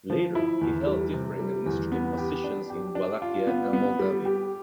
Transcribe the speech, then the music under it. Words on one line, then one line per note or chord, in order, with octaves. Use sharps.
Later he held different administrative positions in Wallachia and Moldavia.
F3
E4
E2
G3
C3
G3
E2
B3
G4
D4
G4
D4
F4
B3
B3
G3
G4